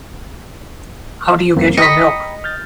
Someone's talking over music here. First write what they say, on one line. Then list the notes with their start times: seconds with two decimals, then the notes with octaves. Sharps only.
How do you get your milk?
1.56 F#2 A#3 C4
1.77 D#5 G5 A#5 B5 B6 C#7
2.44 F6 G6 A6